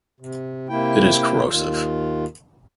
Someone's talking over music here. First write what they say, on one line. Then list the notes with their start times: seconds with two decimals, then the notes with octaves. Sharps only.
It is corrosive.
0.20 C3
0.69 C3 A#3 E4 G5
1.49 D#2 D#3 F4